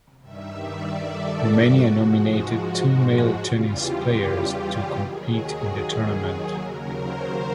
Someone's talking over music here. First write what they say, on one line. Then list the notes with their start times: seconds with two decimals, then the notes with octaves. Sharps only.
Romania nominated two male tennis players to compete in the tournament.
0.22 G2 D#3 G3 E5
0.61 D5
1.01 A4
1.40 F#4
1.79 G#2 F3 G#3
3.38 E2 C#3 E3 G3 F4
3.78 G4
4.18 G4
4.96 D#2 D#3 F#3 G#4
6.55 D#2 C#3 F#3 A#4
6.94 C5